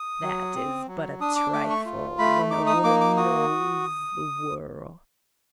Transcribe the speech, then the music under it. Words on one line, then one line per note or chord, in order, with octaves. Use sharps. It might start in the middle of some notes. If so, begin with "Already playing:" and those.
That is but a trifle, when a woman knows the world.
Already playing: D#6
F#3
C4
F#3
D4 D#6
D6
A3 D6
C#6
F4
A3 B5
D#4 D6
D#6
A#3 D6
D6
F#4 D#6